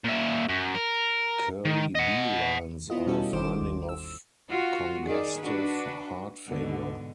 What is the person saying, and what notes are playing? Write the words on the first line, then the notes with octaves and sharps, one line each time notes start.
Kerley B lines are a finding of congestive heart failure.
A#2 E5
F#2
A#4
D#3
D#5 F#5
B3 E4 F4 D#5
B2 G3 C#4 F#4 A4
G1 D#3 C5 D6 E7
D#2
E6
F4 F#4
D#3 G#4 D5
D4 F#4 B4
G#2 B2 D3